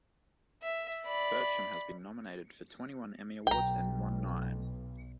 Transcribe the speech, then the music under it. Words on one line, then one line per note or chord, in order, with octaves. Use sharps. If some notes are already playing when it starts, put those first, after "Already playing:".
Bertram has been nominated for twenty-one Emmy awards and won nine.
E5
D5 B5
B1 G5 A#5